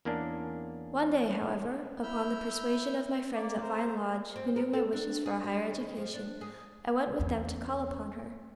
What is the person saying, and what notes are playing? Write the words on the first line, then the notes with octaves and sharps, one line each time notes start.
One day, however, upon the persuasion of my friends at Vine Lodge, who knew my wishes for a higher education, I went with them to call upon her.
E2 A#3 C#4 D4
E4 E6 F6 G6
A#3 D5
A#4 C5
C4
A#4
A4
D4
G#4
G3
D#2
F3
D4
G#4
E2 C#4